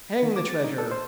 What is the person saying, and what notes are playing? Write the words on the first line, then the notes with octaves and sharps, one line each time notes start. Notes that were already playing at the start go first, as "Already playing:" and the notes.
Hang the treasure!
D#3
D6
A6
D#4
A4
C5